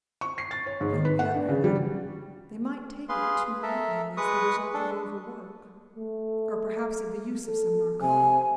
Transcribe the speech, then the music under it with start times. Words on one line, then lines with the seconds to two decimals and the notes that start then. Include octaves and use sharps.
But on the other hand they might take it too lightly, as the result of overwork, or perhaps of the use of some narcotic.
0.21 C#6
0.38 C7
0.51 A6
0.66 C#5
0.81 G#2
0.92 D#3
1.05 B4
1.19 F#5
1.34 D4
1.49 C#3
1.64 G3
3.09 G#4 B4 F5 C6
3.63 A4 A#4 E5
4.17 G#3 B4 C#6 D#6
4.74 D4 A4
5.96 A3
7.47 A4
8.02 C3 G#5